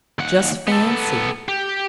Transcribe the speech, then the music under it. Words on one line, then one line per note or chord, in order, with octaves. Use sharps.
Just fancy!
D#2 F#5
B3 A4
G4